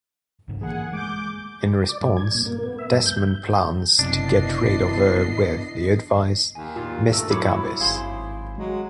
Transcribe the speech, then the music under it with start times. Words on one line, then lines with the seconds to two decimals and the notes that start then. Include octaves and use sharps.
In response, Desmond plans to get rid of her with the advised "Mystic Abyss".
0.48 B1 G#2 C#3
0.61 E3 F#3 A#3 G#4 F#5 G#5
0.93 G#3 D6 G6
1.89 D5
2.01 G2
2.17 G#6
2.35 A#2
2.46 A#3
2.63 B3
2.79 E5
2.92 G2
3.06 G6
3.99 F#1 F#2 C3 B3 D4 E4 D#5 C7
6.55 D#2 G#5
6.76 A#2 F4
7.13 G2 A3 A#4 E6
7.30 F#3 B3 E4 C#5 B5 D6
7.80 G#1 G#4 C5 F5 C6 G#6
8.58 F#3 G#3